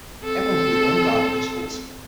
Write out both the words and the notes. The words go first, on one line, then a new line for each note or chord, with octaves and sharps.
Everyone grew their own garden vegetables.
C4 A4